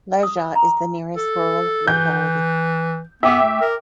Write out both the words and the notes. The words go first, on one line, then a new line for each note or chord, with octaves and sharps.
Lezha is the nearest rural locality.
D#6
A#5
A4
E3 G6
B3 E5 G5 D6
A3
A#4